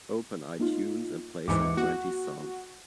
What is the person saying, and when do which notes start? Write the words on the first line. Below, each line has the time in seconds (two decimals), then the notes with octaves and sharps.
Open Itunes and play some twenties songs.
0.59 A#3 D#4 F4
1.48 D#2 G#2 E3 D6 C#7
1.77 A#3 F#4